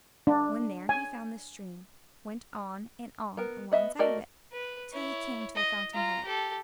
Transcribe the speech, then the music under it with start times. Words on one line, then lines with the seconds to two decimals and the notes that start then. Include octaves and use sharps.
When there, he found the stream, went on and on alongside of it, till he came to the fountain-head.
0.27 D4
0.89 G#5
3.37 B3 A#4
3.72 B3 D#5 E5
3.99 A3 F#4 A#4 D5 D#5
4.52 B4
4.92 E4 C#5
5.55 D#5
5.93 F4 A#5
6.24 G4 A4